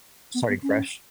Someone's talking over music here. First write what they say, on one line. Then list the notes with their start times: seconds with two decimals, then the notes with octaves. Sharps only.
Starting fresh.
0.35 B3
0.49 B3
0.63 C#4